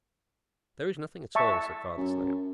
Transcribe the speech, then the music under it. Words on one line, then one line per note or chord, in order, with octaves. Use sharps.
"There is nothing at all," said Father Snail.
E5 A5 C#6
F#2